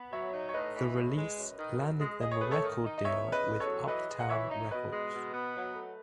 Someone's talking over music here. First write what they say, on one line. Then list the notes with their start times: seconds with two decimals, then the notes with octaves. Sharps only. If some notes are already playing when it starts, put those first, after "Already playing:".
The release landed them a record deal with Uptown Records.
Already playing: B3
0.12 F#3 C#5 E5
0.33 D#4
0.49 C#5
0.54 A2 B4 D#5
0.75 E3
0.96 A2
1.17 G#3
1.37 F#2
1.58 D#3
1.79 F#2
2.00 G#3
2.21 G#4 D#5
2.31 C#5
2.41 A3 B4
2.51 A4 C#5
2.62 D#3
2.84 D#4
2.98 D#5
3.04 E2 C#5 E5
3.26 C#3
3.32 B4 D#5
3.46 E2
3.60 A4 C#5
3.67 F#3
3.88 E3 B4 D#5
4.09 G#3
4.20 F#5
4.29 E3 C#5 E5
4.50 D#4
4.71 B2 B4 D#5
4.92 G#3
5.13 B2
5.34 B3
5.55 F#3
5.75 A3